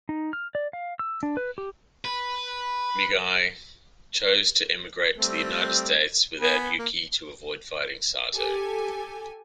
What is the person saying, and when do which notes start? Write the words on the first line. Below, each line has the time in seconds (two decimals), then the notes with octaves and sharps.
Miyagi chose to emigrate to the United States without Yuki, to avoid fighting Sato.
0.09 D#4
0.33 F6
0.55 D5
0.73 F5
0.99 E6
1.23 D4
1.37 B4
1.58 G4
2.05 B4
5.18 G3 A3 C4
6.41 B3 G#5 B5
6.79 A#3
8.35 G4 A4 G#5